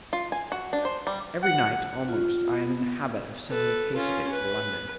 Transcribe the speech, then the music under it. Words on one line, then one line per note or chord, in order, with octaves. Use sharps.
Every night almost I am in the habit of sending a case of it to London.
F4
G#5
F#4
D4
C5
G3
F#5
F4
B3
A4 B4
C#4 F4
B4